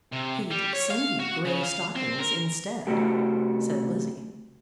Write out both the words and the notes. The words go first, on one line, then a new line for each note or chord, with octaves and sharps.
"He'd send you grey stockings instead," said Lizzie.
C3
G3
C#5
F5
F#4
C#3
F5
C4
A#4
C2 A3 F#4 G4